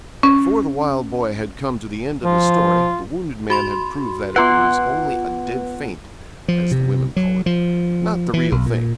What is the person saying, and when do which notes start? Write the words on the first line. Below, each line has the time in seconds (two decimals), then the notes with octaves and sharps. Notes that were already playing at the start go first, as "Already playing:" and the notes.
Before the wild boy had come to the end of his story the wounded man had proved that it was only a dead faint, as the women call it, not the real thing.
0.23 C#4
2.24 F3 F4
3.50 F#4 B5 C6
4.36 B3 F4 B4 F#5 C6
6.48 F3
6.71 C3
7.16 F#3
7.46 F3
8.34 E3
8.52 B1
8.66 A#2